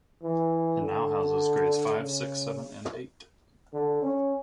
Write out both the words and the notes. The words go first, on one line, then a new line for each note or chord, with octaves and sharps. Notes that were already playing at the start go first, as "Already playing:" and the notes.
It now houses grades five, six, seven, and eight.
E3
D3
C#3
D3
C#4